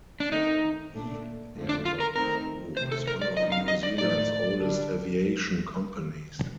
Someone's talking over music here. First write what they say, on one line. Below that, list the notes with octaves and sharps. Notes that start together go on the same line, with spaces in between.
The Airwork group is one of New Zealand's oldest aviation companies.
D4
D#3 A3 C4 D#4
A#2 A3 D4
F2 D3 F3 A3
D4
F4
A#4
D#3 A3 C4 D#4 A#4
C3 D#3 A3 C5
A4
A#4
D5
D3 F3 C4 D#4 D#5
F5
D#5
D5
A2 F3 A3 D#4 D5
D3 G3 D4